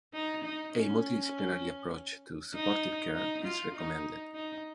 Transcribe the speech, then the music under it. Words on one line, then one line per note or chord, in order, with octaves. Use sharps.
A multidisciplinary approach to supportive care is recommended.
D#4
D#4
C#4
D#4
D#4
F4
D#4
D#4